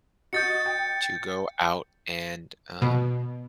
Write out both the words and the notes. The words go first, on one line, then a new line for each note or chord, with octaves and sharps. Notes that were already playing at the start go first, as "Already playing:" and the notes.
to go out and, um,
F#4 D#5 G6 A6 C#7
G5
B2